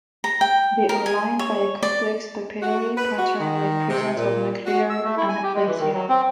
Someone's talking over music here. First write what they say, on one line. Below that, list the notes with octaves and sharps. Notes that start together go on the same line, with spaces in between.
They are lined by a complex papillary pattern with presence of nuclear anaplasia.
A#5
G5
A#4
G#5
C#5
D5
F#4
B4
F#4
D#3
C3
A#2
F#4
E6
A3
E4
G#5
G4
G#3
E3
D#3
F#3
C4